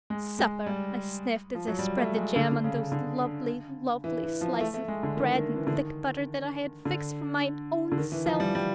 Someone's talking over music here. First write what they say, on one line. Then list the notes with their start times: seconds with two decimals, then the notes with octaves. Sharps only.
"Supper," I sniffed, as I spread the jam on those lovely, lovely slices of bread and thick butter that I had fixed for my own self.
0.10 G#3
0.39 G#3
0.66 G3
1.55 F3
1.67 F#3
1.79 G3
1.97 A3
2.16 G#3
2.36 D3
2.52 D3
2.64 C#3
2.92 D3
4.04 E3
4.23 E3
4.41 F3
4.61 A3
4.74 A3
4.88 G#3
5.03 D3
5.17 D#3
5.35 D#3
5.55 E3
5.67 D3
5.74 D#3
6.85 D3
7.92 D3
7.98 D#3
8.12 E3
8.26 F3
8.40 G3
8.55 G3